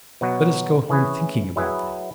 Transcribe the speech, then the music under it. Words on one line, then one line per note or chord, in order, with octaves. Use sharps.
Let us go home thinking about that.
B2 F#3 B3 F#4
E3 C#4 G#4 B4
F#3 E4 G#4 B4